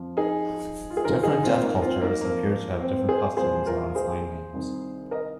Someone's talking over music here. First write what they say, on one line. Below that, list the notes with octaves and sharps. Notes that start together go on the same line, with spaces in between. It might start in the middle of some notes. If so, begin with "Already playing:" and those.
Different deaf cultures appear to have different customs around sign names.
Already playing: F2 F3
D#4 G#4
F4
G#4
F2 D#3 F4 A#4
D#4 G#4
C4 F4
A#3 D#4
C4 F4
A#3 D#4
F2 F3 A#3
C4
C4
G#4 C5
C2 A#2 F3 G#4 C5
F4 A#4
G#4 C5
C2 C3 D#3
A#4 D#5